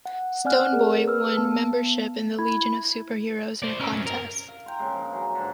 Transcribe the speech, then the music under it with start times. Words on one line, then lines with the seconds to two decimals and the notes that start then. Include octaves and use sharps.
Stone Boy won membership in the Legion of Superheroes in a contest.
0.06 F#5
0.45 C4 D5 F#5 G#5 F6 F#6
0.73 G#4 A#4
1.06 B4 E6 F6
1.37 B3 A5
2.39 E4 B5 G#6
3.63 C5 D5
3.80 C#4 A#4
3.93 F#2 F#3
4.06 A#4
4.48 F5
4.66 G5 A#5 C6
4.79 A#2 C#3 G#3
4.94 F3 D#4
5.11 E3 F#3
5.35 G#2 D3